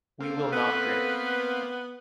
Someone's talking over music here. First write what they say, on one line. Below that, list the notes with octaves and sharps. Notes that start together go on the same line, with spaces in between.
We will not drink.
A#3 C4 A4 F5
B3 B4